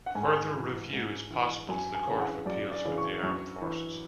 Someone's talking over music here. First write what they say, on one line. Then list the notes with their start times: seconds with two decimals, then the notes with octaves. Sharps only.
Further review is possible to the Court of Appeals for the Armed Forces.
0.06 F#5
0.15 G#2 G#5
0.54 E3
0.93 G#2
1.30 E3
1.69 F#2 G#5
1.95 G#5
2.07 C#3 E3
2.21 F#5
2.46 F#2 D5
2.71 D5
2.85 C#3 E3
2.98 C#6
3.23 F#2 C#6
3.62 E3